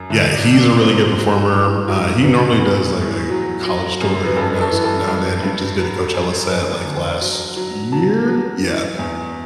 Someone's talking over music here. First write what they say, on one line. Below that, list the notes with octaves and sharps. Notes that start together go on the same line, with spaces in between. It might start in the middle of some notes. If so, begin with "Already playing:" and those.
yeah, he's a really good performer, uh, he normally does, like, a college tour like every nows now and then, he just did a Coachella set, like, last year? Yeah,
Already playing: F#2
D3 E5
D5
D3
D5
F#3 C5
F#3
A2
F#3
F#3 B4
E2
A2
F#3
F#3
F#2
B4
G2 A4
B4
A4
E3
A4
G2
G2
F#3
F#2
F#2 B4
D3
C5
F#3
F#3
F#3 A5
F#3
E3
E2